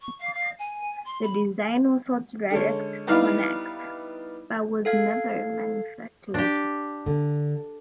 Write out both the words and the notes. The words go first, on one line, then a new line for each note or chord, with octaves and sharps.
The design was sold to Direct Connect, but was never manufactured.
C#6
F5
F5
G#5
C6
B5
D3 G#3 C#4
G3 B3 D#4 E4 D5 F5
A4 F5 G#6
D4 G4
D3